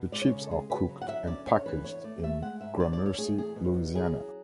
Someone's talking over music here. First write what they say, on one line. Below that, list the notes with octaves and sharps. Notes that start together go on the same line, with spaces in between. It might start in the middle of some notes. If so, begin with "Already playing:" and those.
The chips are cooked and packaged in Gramercy, Louisiana.
Already playing: B2
G#3 D5
C#5
C#3
A4
G#3 G#4
C#3 B4
F#3
F#5
D3 E5
C#4 D5
D3 C#5
E3 B4
E2 C#5
A3 D5
A3 E5
G#3 F#5
G#2 E5
D4 D5
D5
D4
C#5
A3 G#4
E2 G#4
B2
E2
C#4 G#4
F#3